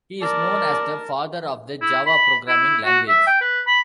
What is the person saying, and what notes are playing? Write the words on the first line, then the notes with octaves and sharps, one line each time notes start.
He is known as the father of the Java programming language.
A#4 D5 A5
E4
B5
E4
F#4
E5
G5
B4
B5